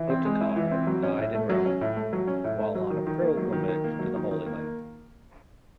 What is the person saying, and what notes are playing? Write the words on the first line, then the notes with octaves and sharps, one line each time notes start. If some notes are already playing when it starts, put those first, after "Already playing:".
Ottokar died in Rome, while on a pilgrimage to the Holy Land.
Already playing: E3
C4
G#3
E4
E3
C4
F#3
C#4
A2
A3
F#3
C#4
A2
A3
F#3
C#4
A2
A3
F#3
D#3
D#3
A#3
F#3
D#3
D#3
A#3
F#3
D#3
D#3
A#3